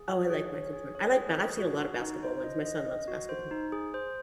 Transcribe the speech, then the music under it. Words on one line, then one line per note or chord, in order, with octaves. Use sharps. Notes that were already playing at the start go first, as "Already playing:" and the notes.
Oh, I like Michael Jordan. I like ba I've seen a lot of basketball ones. My son loves basketball.
Already playing: G#4
C#5
G#4
C#5
G#4
C#5
G#4
G#4
F#4
F#4
D#4
C5
D#5
D#5
D#5
F#4
C5
D#4
G#4
C5